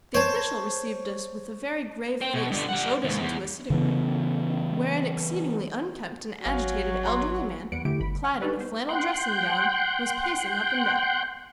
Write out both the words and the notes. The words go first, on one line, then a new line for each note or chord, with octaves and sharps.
The official received us with a very grave face and showed us into a sitting-room, where an exceedingly unkempt and agitated elderly man, clad in a flannel dressing-gown, was pacing up and down.
C5 C#5 A5
C5 G5
B2
G2 D3
G3 F#5
D#2 G#2
E2
C#3 E3 B3
G#1 F#3 C#5 F5 G#5
F#5 A#5 C6
E2 G3 B4 F#5 C#7 D7
D3 A3 E4 G4 D7
G1 B5
F#5 F6
D4 D#4 A4 B4 D5
B3 C5
F#5 G5 C6 F#6 G6